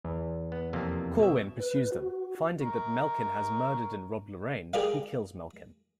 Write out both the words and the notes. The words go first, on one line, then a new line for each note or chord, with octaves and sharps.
Corwin pursues them; finding that Melkin has murdered and robbed Lorraine, he kills Melkin.
E2
B3
F2 C3 A#3
B2 E5
B4
F#4
A#4 C#6
G4 G#4 A#4 D5 F5